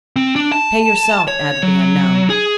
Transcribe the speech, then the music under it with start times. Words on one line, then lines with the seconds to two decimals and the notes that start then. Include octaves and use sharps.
"Pay yourself," added the unknown.
0.16 C4
0.36 D4
0.52 A5
1.28 C#5
1.63 F#3
2.30 G#4